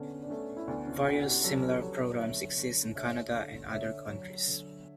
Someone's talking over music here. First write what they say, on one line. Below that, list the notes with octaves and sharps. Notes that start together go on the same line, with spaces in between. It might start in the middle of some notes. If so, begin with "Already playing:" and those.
Various, similar programs exist in Canada and other countries.
Already playing: D3 B3 C#4 D4
D4
A3 C#4
E4
D2 B3 D4
C#4 E4
D3 D4 F#4
E4 G4
F#3 F#4 A4
G4 B4
F#3 A4 C#5
B4 D5
D3 C#5 E5
D3
D2 C#5 E5
D3
D3 C#5 E5
F#3
D3